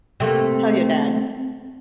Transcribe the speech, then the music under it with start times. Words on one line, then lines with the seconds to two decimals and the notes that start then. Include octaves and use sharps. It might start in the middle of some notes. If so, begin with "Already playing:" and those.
Tell your dad.
0.20 C3 A3 A#3